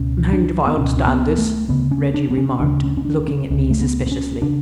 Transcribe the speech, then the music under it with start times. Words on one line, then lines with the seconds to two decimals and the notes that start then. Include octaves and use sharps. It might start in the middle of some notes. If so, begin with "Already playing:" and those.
"I'm hanged if I understand this!" Reggie remarked, looking at me suspiciously.
Already playing: C#2 B2 C#4
0.33 D4
0.67 B3
0.77 C#2 B2 C#4
0.97 C#4
1.08 B3
1.38 A3
1.68 D2 C#3 B3
1.91 C#4
2.14 D4
2.31 B3
2.37 C#4
2.60 D2 C#3 D4
2.83 C#4
2.97 C#4
3.05 D4
3.28 C#4
3.50 C#2 C#3 C#4
3.71 A3
3.81 B3
4.07 B3
4.12 C#4
4.42 C#3 D4